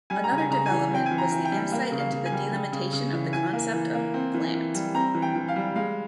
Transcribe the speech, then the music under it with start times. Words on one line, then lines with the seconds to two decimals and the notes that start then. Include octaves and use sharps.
Another development was the insight into the delimitation of the concept of 'plant'.
0.10 G3 G#5
0.24 A#5
0.31 C#3
0.38 G#5
0.50 C#3 A#5
0.66 G#5
0.71 E3
0.91 C4 G5
1.06 G#5
1.11 E3
1.18 A#5
1.32 E3
1.45 G5
1.52 G3
1.72 A#3
1.92 C#3
1.99 F5
2.12 C#3
2.25 G#5
2.32 G3
2.53 G3
2.72 C#3
2.93 C#3
3.13 E3
3.33 E3 G#5
3.53 A#3
3.73 E3
3.95 A#3
4.14 C4
4.34 E3
4.54 E3
4.75 G3
4.94 C4 A#5
5.14 E3
5.22 G5
5.35 E3
5.48 F5
5.56 G3
5.76 G#3 F5